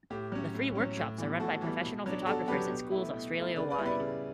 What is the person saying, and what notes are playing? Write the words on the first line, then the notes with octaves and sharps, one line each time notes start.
The free workshops are run by professional photographers at schools Australia wide.
A2 G4
F#3 C#4
A2
F#3 C#4
A2
E3 G3 B3
A2 F#4 A4
E3 G3 B3
B2
F#3 B3 D4
B2 F#4 A4
F#3 B3 D4 G4 B4
B2
A3 E4
B2
A3 E4
C#3 B4 D5
B4 D5
G3 B3 E4
B4 D5
C#3